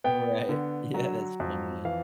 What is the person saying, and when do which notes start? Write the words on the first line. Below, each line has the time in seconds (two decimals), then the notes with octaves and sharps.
Right. Yeah, that's funny, yeah.
0.04 B3 G5
0.49 D3
0.94 F#3
1.40 F2
1.85 E3 F5